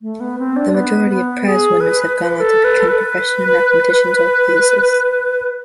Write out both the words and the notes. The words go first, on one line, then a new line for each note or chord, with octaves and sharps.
The majority of prize-winners have gone on to become professional mathematicians or physicists.
A3
B3
C4
D4
B3
B3
G#4
B4
B4
A4
B4
A4
B4